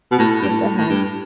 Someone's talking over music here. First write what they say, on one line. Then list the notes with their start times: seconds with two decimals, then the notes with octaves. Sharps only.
What the heck?
0.11 B2
0.19 A2
0.42 G2
0.48 A2
0.77 A2
0.89 G2